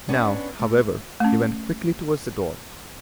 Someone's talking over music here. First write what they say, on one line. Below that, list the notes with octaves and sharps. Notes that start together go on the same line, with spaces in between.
Now, however, he went quickly toward the door.
B3 C#4 D4 B4 C#5
A3
A3 C#4